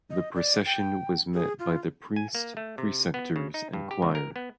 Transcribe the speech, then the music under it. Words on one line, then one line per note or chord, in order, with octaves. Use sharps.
The procession was met by the priest, precentors, and choir.
D#5
D5
G5
G#4
F4
G#5
A#3
A3
C3
B3
C#3
D#4
G2
G4
C#2
A#4
B3